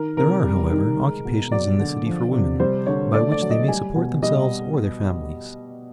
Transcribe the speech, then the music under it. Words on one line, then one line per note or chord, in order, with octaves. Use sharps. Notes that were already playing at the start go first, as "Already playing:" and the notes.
There are, however, occupations in the city for women, by which they may support themselves or their families.
Already playing: D#3 A#4
C3 A#4
G3
D#3
G#3
B2
F#3 D5
D3
F3
C3
G3 C5
D3 C#5
A3 D5
D5
F#3
D#5
G3 G#5
B2
G3 D#5